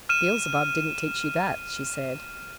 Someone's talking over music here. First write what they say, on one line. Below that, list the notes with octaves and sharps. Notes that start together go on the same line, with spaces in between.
'Beelzebub didn't teach you that,' she said.
F6 D#7 E7